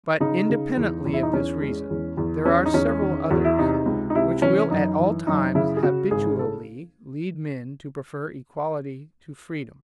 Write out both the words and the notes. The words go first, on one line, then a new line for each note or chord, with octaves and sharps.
But independently of this reason there are several others, which will at all times habitually lead men to prefer equality to freedom.
C#3 D#4
C#3
E2
E2
E4
D#4
E2 C#4
G#3
E2
E2
E2 C#4
D#4
E2 C#4
D#3
E2 F#4
E4
C3 D#4
C#2
D#4
C3 E4
E3 C#4
F#2 D#4
E3
F#2 D#4
C#3 E4
G#4
C#3 F#4
G#1 G#4
A4